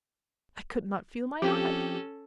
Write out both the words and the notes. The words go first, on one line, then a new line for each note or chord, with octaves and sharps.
I could not feel my heart.
F3 C4 C#4 F4 G4 A4